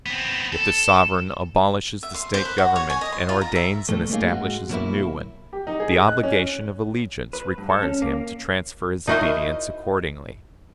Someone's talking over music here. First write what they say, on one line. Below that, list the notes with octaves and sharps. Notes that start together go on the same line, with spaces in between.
If the sovereign abolishes the State government and ordains and establishes a new one, the obligation of allegiance requires him to transfer his obedience accordingly.
B3 C4
A4
E5
C6
C5
B4
F#4
C#5
G#5
D#5
C6
F4
A#5
E5
A#2 G3 A3
A3 A#3 C#4 D#4 G#4 F5
G#2 G#3 F#4
B2 F#3 A#3 E4
G4
D#4
G#4
D#5
F#6
C#4
B4
G2
A4
C#4
A#3
D#4 E4 F#4 A#4 C5 D#5